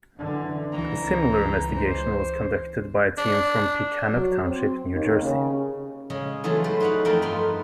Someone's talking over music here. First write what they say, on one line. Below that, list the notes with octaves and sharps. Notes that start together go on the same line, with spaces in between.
A similar investigation was conducted by a team from Pequannock Township, New Jersey.
F#2 D3 E3
C#2 E3 A#5
C5
D4
F#3
C4
D#2
C#3
C#3 G#3 G#4
E3 F#3 A3 F4 G#4 A4
B4 C5 D5
D#4 F#4 B4 F5 F#5
F2 F3 A3 D#4 A#4 G5
G2 B3 F4 F#5 C6